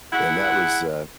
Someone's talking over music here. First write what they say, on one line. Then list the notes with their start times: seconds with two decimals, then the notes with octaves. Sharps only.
and that was, uh
0.13 E4 G#4 F#5